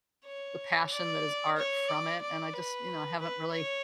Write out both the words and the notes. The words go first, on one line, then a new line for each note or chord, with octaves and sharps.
the passion that is art from it, and I just, you know, haven't really
C#5
D5
C#5
D5
D5
B4
B4
C#5